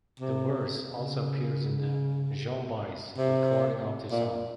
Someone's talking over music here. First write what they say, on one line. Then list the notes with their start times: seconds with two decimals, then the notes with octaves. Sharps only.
The verse also appears in the Joan Baez recording of the song.
0.20 C3
0.94 C#3
3.18 C3
4.11 A#2